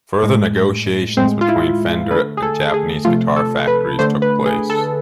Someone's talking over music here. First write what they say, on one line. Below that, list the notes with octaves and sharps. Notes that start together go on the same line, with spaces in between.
Further negotiations between Fender and Japanese guitar factories took place.
A2 G#3
A2 G#3 C4
F4
E4
D3 A3 B4
G#4
A4
G#4
C3 F3 A3 F4
A4
B4
D3 A3 C5
B4
G#4
A4